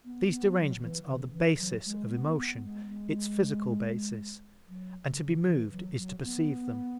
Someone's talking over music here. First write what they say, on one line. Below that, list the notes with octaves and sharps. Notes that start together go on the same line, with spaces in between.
These derangements are the basis of emotion, its physical basis, and to be moved is to perceive them.
B3
B3
F#3
C#3
E3
C#3
E3
F#3
G#3
G#3
B3
B3
G#3
G#3
F#3
C#3
E3
F#3
F#3
B3